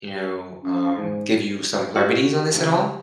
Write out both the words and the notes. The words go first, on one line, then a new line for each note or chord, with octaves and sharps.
you know, um, give you some remedies on this at all?
C#4
G#2
F#4 G4
C#2